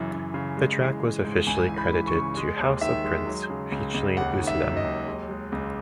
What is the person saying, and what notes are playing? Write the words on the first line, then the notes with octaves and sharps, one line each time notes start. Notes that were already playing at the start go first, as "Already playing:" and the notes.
The track was officially credited to House Of Prince featuring Oezlem.
Already playing: F#2 C#3 E3
F#2
C#3
G#3
E3
E3
G#2
C#2 G#5
E3
B5
E3
C#6
C#3
G#3
D#2
D#3 E5
G#3
F#3
C#3
C#2
C#2
D#2 F#5
D#3
E5
F#3
D#5
D#2
G#3
G#3
C#2